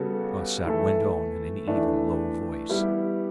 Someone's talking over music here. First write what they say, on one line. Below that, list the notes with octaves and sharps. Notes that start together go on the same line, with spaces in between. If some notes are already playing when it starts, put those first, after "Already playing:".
Arsat went on in an even, low voice.
Already playing: C#3 G3 B3 F#4 A4
E3 A3 E4 A4
E3 A3 D4
G3 B3 E4 G4